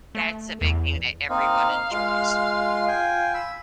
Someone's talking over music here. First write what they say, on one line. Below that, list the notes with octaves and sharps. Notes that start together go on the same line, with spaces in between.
That's a big thing that everyone enjoys.
A3
E2
A#3 C4 D#4 F5
G#3 F4 C6
G5 G#5
B5 E6